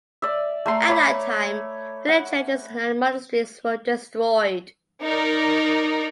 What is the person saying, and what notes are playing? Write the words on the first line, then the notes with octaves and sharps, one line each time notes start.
At that time many churches and monasteries were destroyed.
D5 E5
A3 A#5 C6
C#5 B5 D6
F#5
D#4 A#4 D5